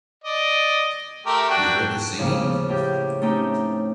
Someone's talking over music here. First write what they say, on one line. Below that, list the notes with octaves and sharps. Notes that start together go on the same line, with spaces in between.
You heard the singing?
D5 D#5
A3 G4 A#4
D4 F#4 G5
D#2 C#3 F3 D6
A2 G4 G6
A3 C4 C#4 D#4 G4